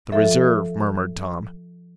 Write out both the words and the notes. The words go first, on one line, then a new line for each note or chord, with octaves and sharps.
"The reserve," murmured Tom.
F3 F4 A4 E5